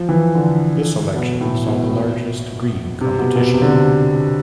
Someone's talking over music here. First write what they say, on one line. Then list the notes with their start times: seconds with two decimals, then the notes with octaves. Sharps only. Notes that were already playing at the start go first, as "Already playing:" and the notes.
This election saw the largest Green competition.
Already playing: F3
0.09 E3
0.35 D3
1.15 B2
1.41 A2
1.68 B2
3.01 C3
3.18 B2
3.36 B2
3.54 C3
3.61 D3
3.68 C3